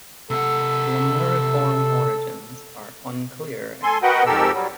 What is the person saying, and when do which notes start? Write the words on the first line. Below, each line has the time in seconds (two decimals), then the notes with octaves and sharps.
Lemuriform origins are unclear and debated.
0.30 C3 A4 F#5 E6
3.83 A4 G#5 C6
4.02 F#4 A#4 B4 D#5 F#5 G5
4.26 F2 G#2 G4 A4 A#4 E6
4.52 F#3 G3